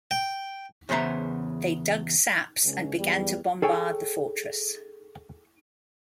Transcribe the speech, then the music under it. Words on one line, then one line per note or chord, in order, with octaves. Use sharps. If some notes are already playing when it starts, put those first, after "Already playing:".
They dug saps and began to bombard the fortress.
G5
E2 C#3 B3 C5 E5 A#5
C#2 C#4
E2 G3
G#4 A4 C#5 G5 G#5